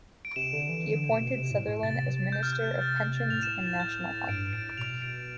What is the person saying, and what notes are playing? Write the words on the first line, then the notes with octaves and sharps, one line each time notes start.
He appointed Sutherland as Minister of Pensions and National Health.
D7
C3 E7
D3
E3
D3
B2
C3
A2
A2
C3 A6
G6
F6
G6
A6
A2 F7
E7
E7
A6
G6
G2 D7
A2 D7
B2 F7
D7